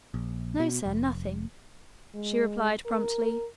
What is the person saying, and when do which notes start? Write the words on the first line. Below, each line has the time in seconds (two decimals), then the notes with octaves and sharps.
"No, sir, nothing!" she replied promptly.
0.14 A#1
0.60 B2
0.86 F1
2.15 G#3
2.86 A#4